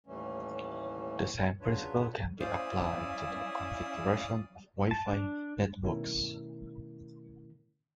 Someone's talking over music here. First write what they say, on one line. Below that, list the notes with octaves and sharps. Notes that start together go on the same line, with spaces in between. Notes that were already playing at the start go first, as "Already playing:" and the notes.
The same principle can be applied to the configuration of Wi-Fi networks.
D#2 A2 E3 G3 A3 C#4
C#3 F#3 D4 F4 B4 C#5
C#4 E4 C5 D5 F5 D#6
A5
D4
B2 D#3 A3 C#4 E4 A#4